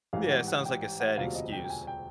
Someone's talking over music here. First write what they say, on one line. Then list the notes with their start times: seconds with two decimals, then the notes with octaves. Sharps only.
Yeah, it sounds like a sad excuse.
0.13 A1 G#2 E3 G3 F5
0.31 F#5
0.48 F#5
0.65 G5
0.82 G5
1.00 F#5
1.17 E1 D2 C3 F3 F5
1.35 D#5
1.52 G5
1.64 G5
1.70 G#5
1.87 G5